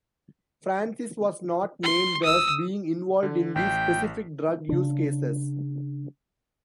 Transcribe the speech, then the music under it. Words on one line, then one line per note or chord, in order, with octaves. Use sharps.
Francis was not named as being involved in these specific drug use cases.
C6
D#6 E6
D3
A1 G5 B6 C7
C#3 D4